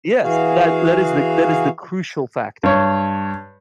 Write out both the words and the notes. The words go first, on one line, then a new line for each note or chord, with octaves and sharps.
Yes. That that is the that is the crucial factor.
E3 F#4 G#4 F5
G2 C#5